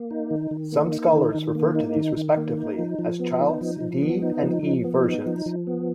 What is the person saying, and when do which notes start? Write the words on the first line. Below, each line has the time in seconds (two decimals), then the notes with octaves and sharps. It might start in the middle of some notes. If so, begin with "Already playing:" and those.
Some scholars refer to these respectively as Child's D and E versions.
Already playing: A#3
0.11 D#4
0.31 D#3
0.51 D#3
0.72 A#3
0.92 D#4
1.13 D#3
1.35 D#3
1.55 A#3
1.75 D#4
1.96 D#3
2.17 D#3
2.37 A#3
2.57 D#4
2.79 F3
2.99 F3
3.20 B3
3.40 D#4
3.61 F3
3.81 F3
4.02 B3
4.22 D#4
4.43 F3
4.63 F3
4.84 B3
5.04 D#4
5.26 F3
5.46 F3
5.67 B3